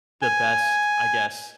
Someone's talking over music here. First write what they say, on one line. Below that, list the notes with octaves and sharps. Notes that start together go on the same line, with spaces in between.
the best, I guess,
G#5